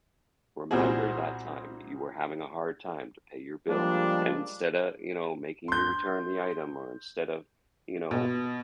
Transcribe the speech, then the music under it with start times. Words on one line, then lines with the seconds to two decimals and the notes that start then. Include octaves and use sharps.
Remember that time you were having a hard time to pay your bill, and instead of," you know, "making you return the item, or instead of," you know, "g
0.71 C2 A#2 G3 C4 F#4 G#4
3.69 F3 G3 G#3 A#3 D4
5.68 C6 G6
8.11 B2